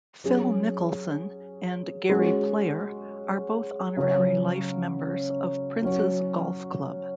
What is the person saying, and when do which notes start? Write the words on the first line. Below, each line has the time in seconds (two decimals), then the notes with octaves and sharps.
Phil Mickelson and Gary Player are both honorary life members of Prince's Golf Club.
0.24 F#3 C#4 G#4
2.09 G#3 C#4 F#4
3.97 C#3 F#3 C#4
5.82 F#3 C#4 F#4